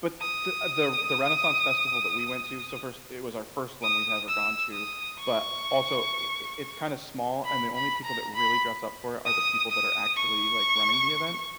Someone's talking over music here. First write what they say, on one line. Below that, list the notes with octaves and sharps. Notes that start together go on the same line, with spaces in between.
but, the the the Renaissance Festival that we went to so, first, it was our first one we've ever gone to, but, also, i i it's kinda small, and the only people that really dress up for it are the people that are actually, like, running the event.
D#6
D#6
E6
D#6
C#6
B5
B5
A#5
B5
D#6
D#6
C#6